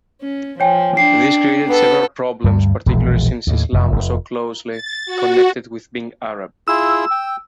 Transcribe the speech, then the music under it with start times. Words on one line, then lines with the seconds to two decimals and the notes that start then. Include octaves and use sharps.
This created several problems, particularly since Islam was so closely connected with being Arab.
0.21 C#4
0.60 F3 C#5 G5 G#5
0.97 D4 G5 C7
1.68 B3 A4
2.44 D2 G2 G3
2.86 E1 A#1 E3 G#3
3.47 D#2 A2
3.73 F1 F#2
3.91 F1
4.71 A6
5.06 F#4
6.68 E4 F4 G#4 E6
7.11 G5